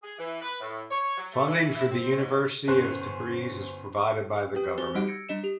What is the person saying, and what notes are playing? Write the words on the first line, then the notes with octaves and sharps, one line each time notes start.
Funding for the University of Tabriz is provided by the government.
G#4
E3
B4
A2
C#5
F#3
A3
E3
E4
C4
G#2
G1 C#4 C5 F#6
G4 B4 G5
C4 F#4 C5 F#6 A6 G7
G3 D#4 F#4 G4 F#5 D7
E6 G6 G#6 A#6 C#7 D7
G3 D4 D#5 E7
G4 F7